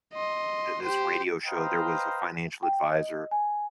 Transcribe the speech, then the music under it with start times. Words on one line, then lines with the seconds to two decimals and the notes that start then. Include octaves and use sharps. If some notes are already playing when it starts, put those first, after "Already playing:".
th this radio show; there was a financial advisor
0.14 D#5 C6
0.83 G4 C5
1.46 B4 C5 D#5 F5 G5 A#5
2.63 G5
2.95 D#5
3.31 G#5